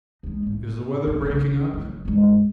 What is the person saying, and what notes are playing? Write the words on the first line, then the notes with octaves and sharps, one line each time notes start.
Is the weather breaking up?
G#3 D#4
A2
C#4
B1 C#3
F#3 E4
G2 G#3